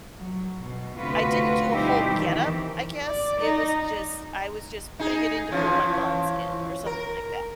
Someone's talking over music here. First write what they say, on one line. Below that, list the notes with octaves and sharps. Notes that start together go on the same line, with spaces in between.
I didn't do a whole getup, I guess. It was just I was just putting it in to hold my buns in or something like that.
F#3
B2
D2 C3 F4 F#4 B4
B2 G3 C4 D#4 E4 G4
D#3 E3 G4
D5
D#4
D#4 G#4
E3 F3 C#4
A#4